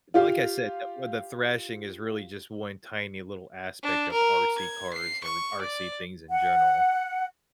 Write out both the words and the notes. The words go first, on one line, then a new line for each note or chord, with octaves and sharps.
like I said, the with the thrashing is really just one tiny little aspect of RC cars or RC things in general.
F4 G4 F5
D4
A#4
G#6
C7
C#6
D5
F#5